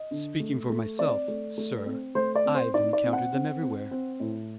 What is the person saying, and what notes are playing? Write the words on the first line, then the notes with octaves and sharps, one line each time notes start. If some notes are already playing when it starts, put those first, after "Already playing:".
"Speaking for myself, sir, I've encountered them everywhere."
Already playing: D#5
D3
A3
A3
C4 D5
A3
A3
C4
A3 C5
D5
C4
C5
D#4 D5
D5
C4
F#5
C4
C4
C4
A2